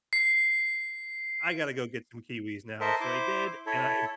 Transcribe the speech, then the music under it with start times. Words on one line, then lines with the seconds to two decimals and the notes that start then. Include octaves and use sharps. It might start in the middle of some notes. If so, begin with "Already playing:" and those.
"I gotta go get some kiwis now." So, I did, and I
0.13 C7
2.81 A4 A#4 C5 D#5 E5
3.01 E4 C5 D6
3.67 E4 A4 C#5